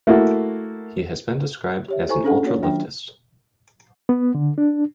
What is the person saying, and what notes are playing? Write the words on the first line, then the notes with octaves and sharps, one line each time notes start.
He has been described as an ultra-leftist.
A3 A#3 E4 F#4
G4 C#5 E5
E4 A4 C5 G#5 A#5 C#6
C#4 D4 G#4 A4 F5 F#5
A#3 F#4 A4 C#5 D5
D#3 F#3 D4 F4 G5
B3
D3
D4